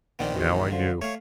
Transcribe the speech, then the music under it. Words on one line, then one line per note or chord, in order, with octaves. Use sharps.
Now I knew!
A#1 D#3 B3 C4 G4 D5 F#5 D7
E3 F#4 G#4
D3 F3
A3 C#5 F5